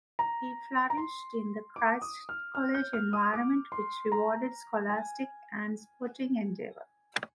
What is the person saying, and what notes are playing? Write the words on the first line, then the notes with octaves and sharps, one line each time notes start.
He flourished in the Christ College environment which rewarded scholastic and sporting endeavour.
A#5
A#5
C6
D6
D#6
F6
F6
G6
F6
D#6
D6
C6
A#5
G#5